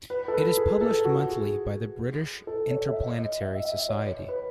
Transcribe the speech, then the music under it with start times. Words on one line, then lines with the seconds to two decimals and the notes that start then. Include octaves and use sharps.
It is published monthly by the British Interplanetary Society.
0.10 B4
0.28 A4
0.34 B4
0.57 G#4
0.81 A4
1.05 F#4
1.29 G#4
2.47 A4
2.71 C#5
2.89 E5
2.95 D#5
3.18 D#5
3.42 E5
3.53 D#5
3.65 E5
3.77 D#5
3.89 C#5
4.28 B4